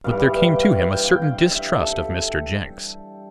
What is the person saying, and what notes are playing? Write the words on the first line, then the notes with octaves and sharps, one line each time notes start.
But there came to him a certain distrust of Mr. Jenks.
G2 E3 G3 F5
G5
F5
G5
F5
E5
A4